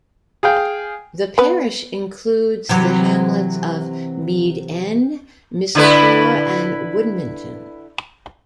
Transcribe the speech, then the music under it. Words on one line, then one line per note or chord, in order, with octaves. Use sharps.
The parish includes the hamlets of Mead End, Misselfore and Woodminton.
G#4 F5 G5
B3 B4
C3 E3 F#3
D3 E4 B4